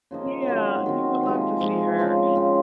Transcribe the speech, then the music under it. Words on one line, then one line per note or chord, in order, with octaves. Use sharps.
Yeah, you would love to see her,
C#3 F3 A#3 D#4
D#3 F#3 C4 F#4
D#3 F#3 C4 F#4
C3 F3 G#3 D#4
C3 F3 G#3 D#4
C#3 F3 C4
C#3 F3 C4